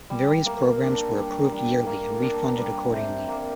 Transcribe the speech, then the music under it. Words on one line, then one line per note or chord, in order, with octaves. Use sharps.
Various programs were approved yearly and re-funded accordingly.
G3
A#3
D4
G3
G3
A#3
D4
G3
C3
A#3